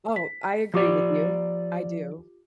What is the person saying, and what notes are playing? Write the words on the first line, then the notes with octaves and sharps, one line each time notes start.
Oh, I agree with you, I do.
B6
F3 F4 G4 D5 D6